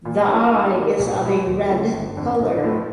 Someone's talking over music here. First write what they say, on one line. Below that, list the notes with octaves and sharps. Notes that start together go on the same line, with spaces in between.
The eye is of a red color.
A#2
F3 A#3 C#4
G#2
D#3 G3
B1
B2 G#3 B3 E4
D#2
C#3 F3 A3 C#4
G1
F2 D3
A#1
A2 F3 A3